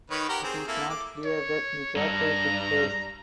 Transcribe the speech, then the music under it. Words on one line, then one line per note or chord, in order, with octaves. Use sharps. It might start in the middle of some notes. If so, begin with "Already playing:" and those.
It is not clear that the capture took place.
D#3 B4 C#5
G4 A#4 F#5
C4 G#4
A#3 E4 A4
D6
C#5
G2 A#5